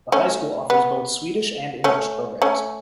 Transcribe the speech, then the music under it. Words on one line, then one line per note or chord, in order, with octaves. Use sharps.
The high school offers both Swedish and English programs.
A3 C#4
B3
A3 C#4
A3 C#4